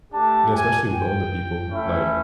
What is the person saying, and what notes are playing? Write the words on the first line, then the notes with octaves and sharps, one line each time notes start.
Yeah, especially with older people. Like,
A3 D4 G4 A5
G#5
G5
A3 C#4 E4